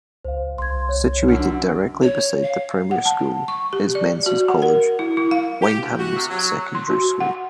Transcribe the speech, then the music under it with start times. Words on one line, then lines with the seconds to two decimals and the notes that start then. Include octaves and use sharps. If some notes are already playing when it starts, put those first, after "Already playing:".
Situated directly beside the primary school is Menzies College, Wyndham's secondary school.
0.25 C#2 C5 F5
0.58 C2 C6 G#6
0.89 C#5
1.28 F#2 D3 F6
2.02 C#5
2.43 F5
2.91 F#5
3.05 A5
3.48 C#6
3.73 G4
3.95 D5
4.26 F#4
4.48 F#5
4.62 A#4
4.99 E4
5.17 E4
5.31 F5
5.62 G4
5.81 D2
5.99 F#4
6.16 C3
6.29 F#3
6.75 C6
6.90 F#4
7.20 F#5